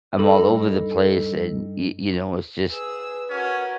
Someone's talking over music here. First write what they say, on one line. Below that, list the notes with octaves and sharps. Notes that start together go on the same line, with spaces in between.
I'm all over the place and, you you know, it's just
G2 D#4 A4 B5
G#4 B4 E6
C#4 F#4 A#4